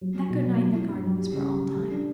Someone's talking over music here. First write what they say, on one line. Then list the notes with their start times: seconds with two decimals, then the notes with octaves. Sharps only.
That good night in the garden was for all time.
0.01 F#3
0.16 F#3
0.30 B2
0.45 F#3
0.60 F#3
0.74 E4
0.89 G2
1.03 F#3
1.18 G3
1.33 C#3
1.47 G3
1.62 G3
1.76 A3
1.91 D4